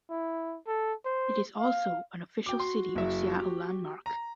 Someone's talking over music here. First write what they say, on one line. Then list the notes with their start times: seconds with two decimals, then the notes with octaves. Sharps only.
It is also an official City of Seattle landmark.
0.10 E4
0.67 A4
1.05 C5
1.57 F5
2.46 F#4 G5 D6
2.60 C6
2.95 F#1 E5
3.39 G4
4.06 A#5